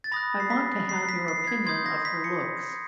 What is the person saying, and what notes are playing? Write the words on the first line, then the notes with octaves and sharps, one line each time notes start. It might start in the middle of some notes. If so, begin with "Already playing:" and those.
I want to have your opinion of her looks.
A6
B5 D#6 F#6 A#6
C7
B6
C7
B6
C7
G#6
C6 D#6 G6 G#6
A#6
B6
C#7